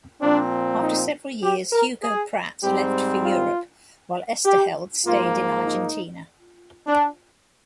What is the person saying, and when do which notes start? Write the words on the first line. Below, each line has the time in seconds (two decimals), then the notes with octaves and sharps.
After several years, Hugo Pratt left for Europe, while Oesterheld stayed in Argentina.
0.22 A#2 F3 C4 D4
0.82 D#4
1.43 G4
1.73 A#4
2.03 G#4
2.63 G#2 G3 C4 G4
3.24 F4
4.45 G4
5.05 G#2 F3 A#3 F4
5.66 D#4
6.87 D4